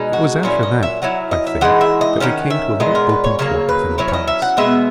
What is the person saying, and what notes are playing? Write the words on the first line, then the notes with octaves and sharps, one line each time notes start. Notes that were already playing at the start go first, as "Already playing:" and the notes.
'It was after that, I think, that we came to a little open court within the palace.
Already playing: B2 G#3 D#4
F#4
A#2 F#3 C#4 E4
D#5
E5
F#3 C#4 E4 F#5
D#5
E5
E3 G#3 D#4 F#5
E5
D#5
D#3 F#3 C#4 F#5
E5
A#2 G#3 B3 D#5
A#4
B4
C#5
C#3 F#3 A#3 C#5
B4
F#3 C#4 E4 C#5
C#5
D#5
E5
F#5
B2 G#3 B3 E5